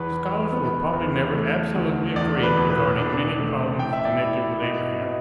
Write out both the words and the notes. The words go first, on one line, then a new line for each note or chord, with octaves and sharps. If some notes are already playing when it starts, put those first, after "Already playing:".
Scholars will probably never absolutely agree regarding many problems connected with Abraham.
Already playing: E2 B4
E2
B3
E2
A3
D2
E2 D5
B4
E1
B4
D4
A3
A2 G5
E5
D5
E4 E5
B2
B2